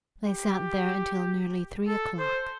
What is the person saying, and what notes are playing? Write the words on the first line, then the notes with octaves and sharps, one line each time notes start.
They sat there until nearly three o'clock.
G4
A4
C5